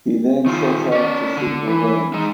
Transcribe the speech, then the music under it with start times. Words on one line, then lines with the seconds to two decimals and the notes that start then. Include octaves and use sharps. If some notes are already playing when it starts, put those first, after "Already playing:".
He then sets out to seek revenge.
0.46 D#3 F4
0.91 C#4 D5
1.37 D3
1.68 E3
2.14 G#3 D#4